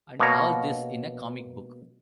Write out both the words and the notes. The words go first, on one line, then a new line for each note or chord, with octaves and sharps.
And all this in a comic book!
B2 A#3 C#5 A#5